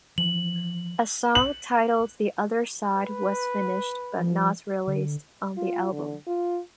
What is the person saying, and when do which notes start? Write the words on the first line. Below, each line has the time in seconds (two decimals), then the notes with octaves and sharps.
A song titled "The Other Side" was finished but not released on the album.
0.18 E3 F3 F#7
1.35 F#7
2.94 B4
4.18 F3
4.87 D3
5.57 F4
5.92 D3
6.27 F4